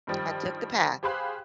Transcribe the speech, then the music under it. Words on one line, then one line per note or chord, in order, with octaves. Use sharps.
I took the path
G2 D#3 F3 G3
G4 G#4 C5 F5 B5 F#6